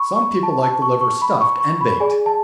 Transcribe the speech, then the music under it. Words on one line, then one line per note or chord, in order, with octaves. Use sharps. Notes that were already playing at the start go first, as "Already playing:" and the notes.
Some people like the liver stuffed and baked.
Already playing: B5 C#6
C#6
A5
A5
C#6
C#6
B5
C#6
C#6
B5
G#4 D5 G#5
A5